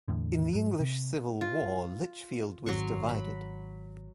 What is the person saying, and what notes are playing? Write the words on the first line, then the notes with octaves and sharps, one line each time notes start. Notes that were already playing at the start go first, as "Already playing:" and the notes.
In the English Civil War, Lichfield was divided.
E2 A2 D3
G#2 F#3
C3
F4
G#1 F#3 C6 C#6
B5